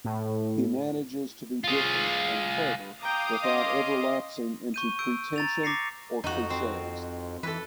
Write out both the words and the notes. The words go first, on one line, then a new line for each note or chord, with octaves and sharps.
He manages to be different and clever without ever lapsing into pretension or cliches.
A2
F4 G#4
F5 G5 A#5 D6 D#6
C#4 D#5 C6
C#6 G6 D#7
E6 G6 D7
A#5 A6 F7
D6 A#6 C7 C#7
F2 D#4 F#4
C4
E3 A4 B4